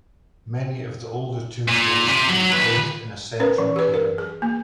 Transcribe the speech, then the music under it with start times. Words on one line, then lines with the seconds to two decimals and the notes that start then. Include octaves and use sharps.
Many of the older tombstones have been placed in a central cairn.
1.68 A#2
2.09 C3
2.29 F#3
2.52 D#2 B4
3.40 C#4 A#4 B4
3.58 E3
3.76 G4 B4
3.94 A#4
4.18 G#4
4.42 A#3